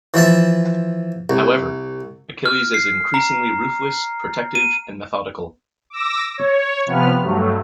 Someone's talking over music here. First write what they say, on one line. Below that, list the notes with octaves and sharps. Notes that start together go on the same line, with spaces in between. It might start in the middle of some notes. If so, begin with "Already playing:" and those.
However, Achilles is increasingly ruthless, protective, and methodical.
E3 F3 E5 A5
C2
F6
C7
A#5
D#7
D6 E6 A#6
C#5
C3 F3 B3 B4 F6
G2 F#3 A3